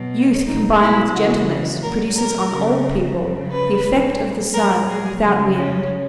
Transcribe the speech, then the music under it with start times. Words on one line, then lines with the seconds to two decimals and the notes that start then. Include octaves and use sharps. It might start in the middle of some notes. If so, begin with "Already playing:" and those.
Youth combined with gentleness produces on old people the effect of the sun without wind.
Already playing: B2 F#3
0.47 B2 F#3 D#4
0.81 E4
1.15 C#3 E3 F#4
1.82 A#2 F#3 A#4
2.16 A#4
2.50 C#3 F#3
3.18 C#3 F#3
3.52 B4
3.86 A#2 F#3
4.53 A#2 F#3 A#4
4.87 G#4
5.21 C#3 F#3
5.55 C#4